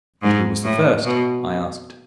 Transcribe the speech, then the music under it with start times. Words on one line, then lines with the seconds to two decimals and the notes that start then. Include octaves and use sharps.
"And who was the first?" I asked.
0.23 G#2
0.64 A2
1.05 B2